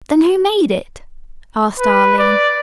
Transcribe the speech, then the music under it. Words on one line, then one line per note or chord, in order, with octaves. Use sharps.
"Then, who made it?" asked Arline.
B4
D5